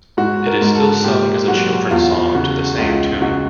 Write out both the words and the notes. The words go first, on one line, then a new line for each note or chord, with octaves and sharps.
It is still sung as a children's song to the same tune.
G#2 F#4
A#4
G#2
A4
A#2 G4
F#3 F#4
E2 F4
F4
C#3 F#4
C#2 F4
C#2 F#4